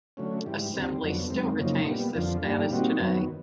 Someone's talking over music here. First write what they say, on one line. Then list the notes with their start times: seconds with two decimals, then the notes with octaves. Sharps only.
Assembly still retains this status today.
0.17 D3 F#3 A3 C#4
0.46 G#2 E3 G3
0.74 D#2 D3 G3 C4
1.03 F2 D3 F#3 B3
1.30 F#2 D#3 G#3 C4
1.58 F#2 C#3 F3 A#3 D#4
1.87 A#2 G3 B3
2.15 F2 D3 F3
2.43 G2 D#3 G3 A#3 D4
2.71 A#2 G3 C4 D#4 F#4
2.99 F#2 D#3 F#3 B3